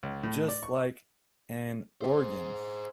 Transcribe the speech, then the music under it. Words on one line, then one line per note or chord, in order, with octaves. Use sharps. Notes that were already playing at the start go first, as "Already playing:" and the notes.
Just like an organ.
C#2
A2
D5
C#6
G#4 C5